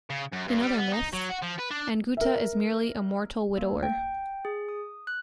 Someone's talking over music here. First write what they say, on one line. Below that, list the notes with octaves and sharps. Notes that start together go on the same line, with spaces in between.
In other myths, Anguta is merely a mortal widower.
C#3
F#2
G2
G3
B3
D#4
F#3
F#4
F3
B4
D4
A#4 E5
A#3
G5
G#4
D#6
F#6